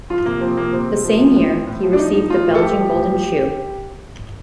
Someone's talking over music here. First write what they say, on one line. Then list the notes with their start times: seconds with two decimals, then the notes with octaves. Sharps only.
The same year, he received the Belgian Golden Shoe.
0.10 F3 F4
0.26 C3 A#3
0.41 F3 C4
0.57 C3 A#3
0.73 C3 C4
0.89 C3
1.04 F3
1.20 F3
1.36 A2
1.52 A2
1.67 A2
1.83 F3
1.93 D4
1.99 F3 D#4
2.15 A2
2.30 F3 F4
2.46 A2
2.55 A4
2.62 F3 G4
2.77 F3
2.93 A2
3.09 F3